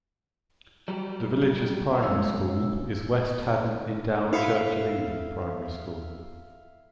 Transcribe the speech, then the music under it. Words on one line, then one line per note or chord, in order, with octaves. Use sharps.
The village's primary school is West Haddon Endowed Church of England Primary School.
F#3 G3
G2 G#3 C#5 F5 E6
E4 A4 E5 F5 B5